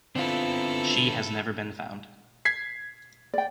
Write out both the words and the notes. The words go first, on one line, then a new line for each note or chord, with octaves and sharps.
She has never been found.
D3 B3 C4 E4 F4 A4
G#6 B6 C7
D5 G5